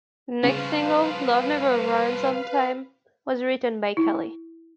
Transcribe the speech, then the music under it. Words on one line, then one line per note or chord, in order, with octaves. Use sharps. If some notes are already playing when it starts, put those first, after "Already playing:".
The next single, "Love Never Runs on Time" was written by Kelly.
C2 C#3 F3 B4 F5
E4